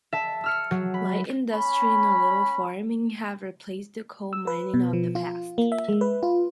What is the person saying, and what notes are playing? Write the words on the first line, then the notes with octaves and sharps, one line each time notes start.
Light industry and a little farming have replaced the coal mining of the past.
E5 A5
E6 F6 C#7
F#3
B5
C#4 B5
E6
B4
B2
F3
F4
A#3
E5
G#3
B4
F4